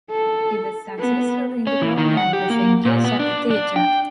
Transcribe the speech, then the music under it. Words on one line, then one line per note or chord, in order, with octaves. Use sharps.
He was successful in the role and was engaged at the theater.
A4
B3
C#4
E3
D#3
F#5
G4
A#3
A#2
B3
D4
D4
G5